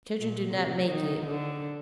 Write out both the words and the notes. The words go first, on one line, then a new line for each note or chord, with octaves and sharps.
Children do not make it.
A#2
C3
D#3
D3